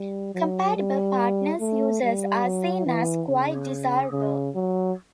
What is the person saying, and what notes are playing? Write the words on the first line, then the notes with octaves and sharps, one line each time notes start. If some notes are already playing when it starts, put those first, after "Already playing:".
Compatible Partners' users are seen as quite desirable.
Already playing: G3
F#3
G3
A3
G3
F#3
E3
C#3
C#3
F#3